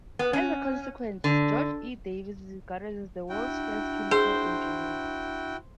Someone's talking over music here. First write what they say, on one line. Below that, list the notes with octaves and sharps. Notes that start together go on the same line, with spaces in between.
As a consequence George E. Davis is regarded as the world's first chemical engineer.
B3
C#4
D3
D4 E4 F#4 G5
G#4 C5